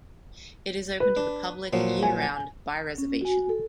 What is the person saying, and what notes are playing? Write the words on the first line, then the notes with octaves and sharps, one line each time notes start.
It is open to the public year-round by reservation.
B4
D4
A#2 F3 F#3
G#5
C#4
F#4 G#5
A4